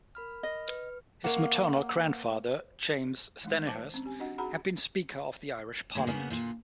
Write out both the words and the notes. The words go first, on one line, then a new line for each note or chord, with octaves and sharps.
His maternal grandfather, James Stanihurst, had been speaker of the Irish parliament.
A#4 B5 F6
D#5
B4 F6
A#3 A#4 C#5 F5 F#5
E3 G#3 A3 D#4
C5 A5 D6
C4 C#4
G4 G#5
D4 F#4 D#5 F#5
D#4 F#4 G#4 F#5 A#5 B5
A2 D3 G#3 A#3
C#3 A#3 B3 F4 F#4
A#2 D3 F4